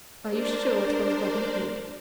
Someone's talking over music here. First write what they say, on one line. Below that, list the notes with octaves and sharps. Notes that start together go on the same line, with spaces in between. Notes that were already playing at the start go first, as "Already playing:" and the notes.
"Are you sure 'twas Robin Hood?"
D4 A#4 C5 D5